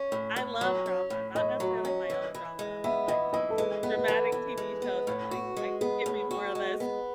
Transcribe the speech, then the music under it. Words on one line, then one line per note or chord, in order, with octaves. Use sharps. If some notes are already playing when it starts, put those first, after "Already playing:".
I love drama. Not necessarily my own drama, but, like, dr dramatic TV shows, I'm like, "I give me more of this."
Already playing: C#4
A2
A2
F#3
C#4
A2
A2 D#5
F#3
C#4
E3
E3
G#3
B3 E5
E3 D#5
E3 D#5
A4
G#3 B4
B3 B4
B4
E3 A4
E3
G#3
B3
A2
F#4
G#3
B3 G#4
A2
F#4
G#3
B3